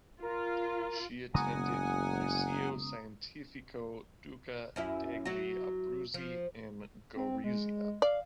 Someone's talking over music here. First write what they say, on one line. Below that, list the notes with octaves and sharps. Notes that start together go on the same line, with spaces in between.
She attended liceo scientifico Duca degli Abruzzi in Gorizia.
F4 A#4
F#1 C#3 G#3 B3 F#5 G#5 A#5 D#6
F#2 C#4 E4
F#3 F#4
F3
C4
G#3
D5 F5